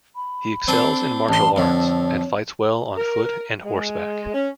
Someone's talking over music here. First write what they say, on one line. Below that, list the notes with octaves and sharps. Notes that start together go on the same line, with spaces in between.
He excels in martial arts and fights well on foot and horseback.
B5
C4 D4 A4
A1 A5 C6
F2 D3 C#5
A#4
G#3
C#4